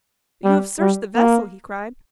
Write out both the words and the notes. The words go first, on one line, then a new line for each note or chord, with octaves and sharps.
"But you have searched the vessel?" he cried.
G3
G3
A#3